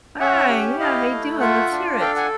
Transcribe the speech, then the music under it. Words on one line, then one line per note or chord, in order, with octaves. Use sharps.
Hi, yeah, how you doing? Let's hear it.
C#4 E5 F#5
G4
E4 D#5 F5
A3
F4 E5 F#5
D4
A4 F5 G5
F#5 G#5